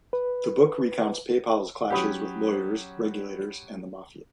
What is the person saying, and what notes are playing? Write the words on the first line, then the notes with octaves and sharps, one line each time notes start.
The book recounts PayPal's clashes with lawyers, regulators, and the Mafia.
B4
F#3 C#4 G4 F#5 B5 D#6